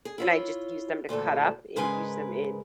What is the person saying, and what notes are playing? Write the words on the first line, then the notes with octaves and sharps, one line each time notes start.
and I just use them to cut up, and use them in
G#4
E4 F4 C#5
D2 A#2 E3 A4
G#2 C#3 G#3 A#4 B4 G#5